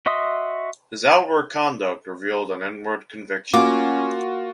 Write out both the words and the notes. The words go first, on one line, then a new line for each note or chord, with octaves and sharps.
His outward conduct revealed an inward conviction.
F#4 D#5 E5 C6 D#6
A#3 C#4 F4 F#4 D6